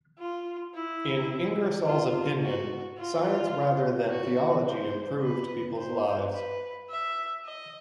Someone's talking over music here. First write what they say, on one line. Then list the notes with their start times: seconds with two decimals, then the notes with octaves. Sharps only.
In Ingersoll's opinion science rather than theology improved people's lives.
0.18 F4
0.74 E4
1.86 F4
2.43 F#4
2.98 F4
4.09 F#4
4.66 C5
5.22 B4
5.77 C5
6.33 B4
6.89 E5
7.45 D#5